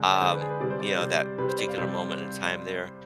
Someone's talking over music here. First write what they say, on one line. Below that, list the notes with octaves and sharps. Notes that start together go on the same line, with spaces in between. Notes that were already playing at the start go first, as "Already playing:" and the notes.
um you know, that particular moment in time there,
Already playing: D3 G#3
D5
D3 G#3 C5
B4
G#4
B4
C3 G3 D5
C5
D5
C5
C3 G3
C3 G3 B4
C5
D5
F5
C3 G3 C5
C5